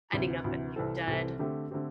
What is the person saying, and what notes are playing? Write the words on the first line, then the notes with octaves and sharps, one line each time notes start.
ending up at, like, a dud.
D2 C3 E3
D2 C3 E3
C2 C3 E3 C4 A4
C2 C3 E3 C4 A4
D3 A3 C4 G4
D3 A3 C4 G4